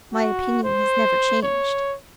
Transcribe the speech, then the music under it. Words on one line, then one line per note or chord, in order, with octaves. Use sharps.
My opinion has never changed.'
F#4
C5
C#5